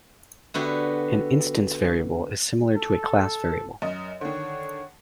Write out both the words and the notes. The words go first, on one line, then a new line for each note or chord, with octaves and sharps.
An instance variable is similar to a class variable.
D3 B3 F#4 G4
A4
F#2 D#5
D3 D#3 C#5